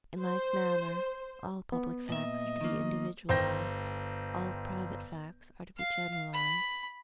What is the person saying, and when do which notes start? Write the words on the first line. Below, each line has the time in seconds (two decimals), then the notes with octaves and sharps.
In like manner all public facts are to be individualized, all private facts are to be generalized.
0.20 C5
1.72 B3
2.09 A#2 D#5 E5
2.61 D#3 A#3
3.29 G1 C5 G5 G6 A#6
5.77 F5
6.34 B5